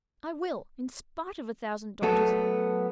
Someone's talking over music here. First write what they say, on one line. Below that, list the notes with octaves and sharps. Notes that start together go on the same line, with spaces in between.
I will, in spite of a thousand doctors.
F#3 A3 B3 A4